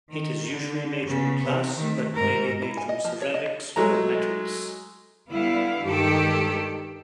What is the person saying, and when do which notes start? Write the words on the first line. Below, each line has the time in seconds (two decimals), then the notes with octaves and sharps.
It is usually made from glass, but may be made from ceramics or metals.
0.11 D#3
0.51 D3
1.07 C#3 B3
1.44 C3
1.77 D#3 A3
2.15 G#2 A#4
2.62 E4
2.77 G#5
2.89 D#5
3.05 F3
3.22 C#5
3.34 D#5
3.76 F#3 G#3 A3 A#5
5.31 D3 G3 B3 E4 F5
5.84 G2 D#3 G#3 G4 A4